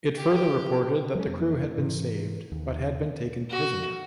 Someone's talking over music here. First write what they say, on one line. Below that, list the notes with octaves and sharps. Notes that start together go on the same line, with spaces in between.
It further reported that the crew had been saved but had been taken prisoner.
G4 G5
F#3 G#3 C#4
F2 A#3
G#2 C3 E3
D#2
F#4